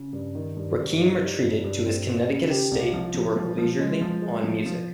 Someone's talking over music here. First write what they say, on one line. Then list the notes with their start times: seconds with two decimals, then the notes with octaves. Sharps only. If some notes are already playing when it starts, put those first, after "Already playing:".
Rakim retreated to his Connecticut estate to work leisurely on music.
Already playing: C#3
0.13 G2
0.35 D#3
0.57 G2
0.78 G2
1.00 D#4
1.21 G3
1.42 G2
1.64 G2
1.85 C4
2.07 C4
2.28 C#3
2.50 G4
2.71 C2
2.93 F3
3.14 F3
3.36 F3
3.58 F3
3.79 G#3
4.01 F3
4.22 G#3
4.44 F3
4.66 F3